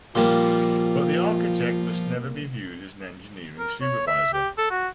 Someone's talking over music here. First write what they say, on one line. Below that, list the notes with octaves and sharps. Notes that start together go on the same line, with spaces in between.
But the architect must never be viewed as an engineering supervisor.
A#2 F3 G3 A#3 F4 C6
A#4
C#5
E5
G4
A4
F#4